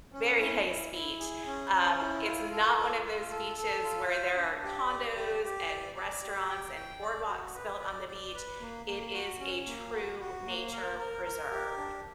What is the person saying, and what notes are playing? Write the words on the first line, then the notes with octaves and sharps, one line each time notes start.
very nice beach. Um, it's not one of those beaches where there are condos and restaurants and boardwalks built on the beach. It is a true nature preserve,
C#4
E4
E4
E4
G#4
C#4
C#4
E4
F4
A4
F4
F4
A4
A4
F4
C5
D4
G4
D5
G4
G4
D5
D5
G4
G5
G5
D5
F#4
B4
D5
D5
B4
A#3
A#3
F#4
C#4
A#3
F#4
F#4
A#3
A#4
A#4
A#4
G4
D4